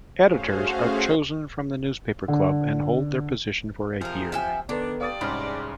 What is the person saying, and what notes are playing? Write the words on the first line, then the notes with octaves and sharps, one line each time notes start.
Editors are chosen from the newspaper club, and hold their position for a year.
A3 C#4 F#4 G#4 C5 F5
D3
C3 F3 G#4 A#4
E5 G5 G#5
D#3 A#3 B3 D4 A4 B4
G2 G4 D5 F5 D#6 A6
C2 G#2 C#4 G#4 B5 C6 F6